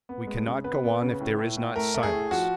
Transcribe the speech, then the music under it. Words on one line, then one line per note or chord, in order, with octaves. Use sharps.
We cannot go on if there is not silence.
B3
G#3
C#3
B3 B4
B3
C#3
A2
A2
A2
A3 A#4
A3
G#4
A2
F3 F#4